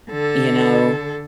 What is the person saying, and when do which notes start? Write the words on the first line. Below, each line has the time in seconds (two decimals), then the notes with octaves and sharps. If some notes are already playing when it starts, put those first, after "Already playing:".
you know?
0.10 D3 A4